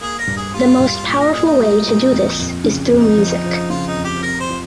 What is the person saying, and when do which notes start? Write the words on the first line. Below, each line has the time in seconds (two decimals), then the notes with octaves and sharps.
The most powerful way to do this is through music.
0.01 A#3 G#4
0.19 A#4
0.27 G2
0.37 G#4
0.54 G3 F4
0.80 G2
1.06 A#2 G4
1.20 A#4
1.33 A#2 G#4
1.45 D#4
1.59 G3
1.86 A#2
2.12 F2
2.38 F2
2.64 C#3
2.91 F2
2.99 D#4
3.18 F3
3.44 F3
3.70 C#3 F4
3.87 D#4
3.96 F2
4.04 G4
4.23 C3 A#4
4.40 C5
4.49 F3